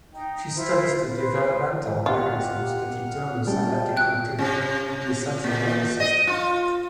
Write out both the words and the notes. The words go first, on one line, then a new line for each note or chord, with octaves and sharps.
She studies the developmental mechanisms that determine synaptic connectivity in the central nervous system.
D#4 G5
E4 F4 C5
B4 C5
D#4 F4 G4 F#5 F6
G3 G#3 C#4 G5 A5
G5 F#6
C3
A#2
D#5
F4